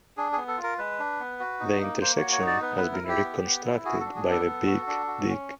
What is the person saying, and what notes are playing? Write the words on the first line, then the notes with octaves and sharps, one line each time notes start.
The intersection has been reconstructed by the Big Dig.
D4 G#4
B3 G#4
A4
F4
A#4
G#3 B4
D4
B3
F#4
D#4
A#3
A#3 C5
F#4 C#5
C#5
D#4
D5
B3 B4
B4
E4
A#4
E4 G4
B3
B3
E4
F#4 G#4
D4 A4
G#4
B3
A4
B3
F#4
D4
F#4
C#4